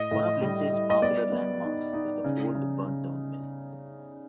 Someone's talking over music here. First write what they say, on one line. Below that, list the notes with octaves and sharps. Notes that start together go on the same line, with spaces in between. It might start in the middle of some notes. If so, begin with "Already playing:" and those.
One of Lindsay's popular landmarks is the old burnt down mill.
Already playing: A2 D#5
A2
G3
G3
D#5
B3 D5
B3
D#4
D#4
C#3
C#3
C#3